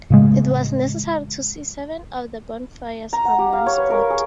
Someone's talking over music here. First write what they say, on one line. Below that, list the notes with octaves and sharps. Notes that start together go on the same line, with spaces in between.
It was necessary to see seven of the bonfires from one spot.
A2 C#3 G#3
A#5
F#5
G4
F5
C#5
B4
A#4
G#4